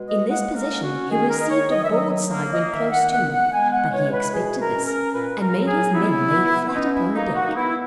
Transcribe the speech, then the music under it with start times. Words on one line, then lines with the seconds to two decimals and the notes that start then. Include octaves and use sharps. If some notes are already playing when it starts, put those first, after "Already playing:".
In this position he received a broadside when close too; but he expected this, and made his men lay flat upon the deck.
Already playing: B2 G#3
0.09 D#5
0.29 A#3 F#5
0.56 A#4
0.70 C#4
0.83 F#4
1.10 D#3 G#4
1.30 A#4
1.41 D#5
1.50 D#3 C#5
1.71 D#5
1.84 E5
1.90 F#3 D#5
2.31 A#3
2.52 D#5
2.71 D#3 E5
2.92 F#5
3.11 B3 F#5
3.32 F#5
3.52 G#3 G#5
3.72 F#5
3.92 E3 C#5
4.13 B4
4.33 B2 G#4
4.60 A#4
4.73 C#4
4.87 A#4
5.13 A#2 B4
5.41 A#4
5.54 F#3
5.67 G#4
5.94 B3 E4
6.35 B3
6.75 C#4 D#4
6.95 E4
7.15 A#3 D#4
7.35 F#4
7.47 D#4
7.55 B3 E4